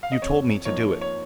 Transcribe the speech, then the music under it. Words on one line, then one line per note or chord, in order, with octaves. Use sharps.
"You told me to do it."
F5
D#5
F2 C#5
F3 A#3 D#4 C#5
C#5